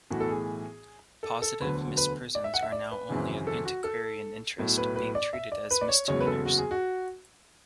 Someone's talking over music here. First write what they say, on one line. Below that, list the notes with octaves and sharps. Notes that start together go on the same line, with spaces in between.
Positive misprisions are now only of antiquarian interest, being treated as misdemeanours.
B1 A2 E3 F#4
A4
G#4
A4
A4
E1 D2 D3 F#3 B4
B4
D5
E5
F#5
E5
D5
B4
G#1 F#2 C#3 E3
A4
F#4
A4
B1 A2 F#3
B4
B4
D5
E5
D5
B4
D5
C#5
F#1 E2 C#3 F#3 C#5
B4
A4
F#4
G#4
F#4